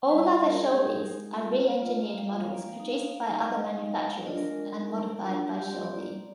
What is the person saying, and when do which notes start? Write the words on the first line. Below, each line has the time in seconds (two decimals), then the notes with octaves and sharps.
All other Shelbys are re-engineered models produced by other manufacturers and modified by Shelby.
0.10 G3 F5
0.23 D#5
0.35 C4 F4 D5
0.48 A#4
0.60 G#3 G#4
0.73 G4
0.84 D#4 G#4
0.96 A#4
1.08 G#3
1.33 C4 F4
1.57 A#3 D5
1.82 F4
2.06 A#3 F5
2.18 G5
2.30 F4 F5
2.42 F5
2.54 A#3 F5
2.80 D#4
3.03 A#3 F5
3.27 D#4
3.52 G#3 D#5
3.64 G5
3.76 D#4 F5
3.89 F5
4.01 A#3 D#5
4.13 D#5
4.26 D4 F4 D5
4.38 A#4
4.50 G#3
4.74 C4 D#4
4.98 A#3
5.23 D4 F4
5.47 G3 G4
5.60 G4
5.71 C4 F4 D5
5.84 D5
5.96 A#3